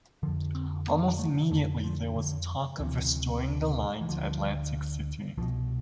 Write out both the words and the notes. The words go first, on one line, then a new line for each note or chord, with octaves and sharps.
Almost immediately, there was talk of restoring the line to Atlantic City.
F2 D3 F3
C4
B3
A3
F2 D3 A3
F3
D3
D2 C3 E3
E3
D2 D3 F3
C2 B2 F3